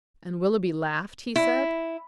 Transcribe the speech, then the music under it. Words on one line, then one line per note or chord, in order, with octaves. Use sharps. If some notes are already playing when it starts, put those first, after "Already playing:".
"And Willoughby laughed?" he said.
E4